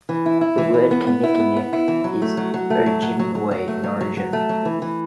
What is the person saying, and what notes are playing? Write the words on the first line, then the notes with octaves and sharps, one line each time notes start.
The word kinnickinnic is Ojibwe in origin.
E3
E4
E4
E3
E3
B3
B3
E4
B3
B3
E4
E3
F#3
A3
F#3
F#3
A3
F#3
F#3
F#3
F#3
F#3
A3
F#3
F#3
F#3
A3
F#3
E3
E3